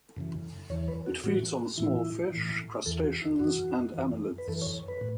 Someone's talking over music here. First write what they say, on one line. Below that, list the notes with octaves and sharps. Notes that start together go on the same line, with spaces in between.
It feeds on small fish, crustaceans, and annelids.
F#2 C#3 E3
E2 E3 C#5
B4
F#4
A2 E3 F#4
A2 E3 E4
A2 E3
E2 E3 A4
F#4
E4
F#2 E3 F#4
F#2 E3
B4
F#2 E3 A4
C#5
B4
A2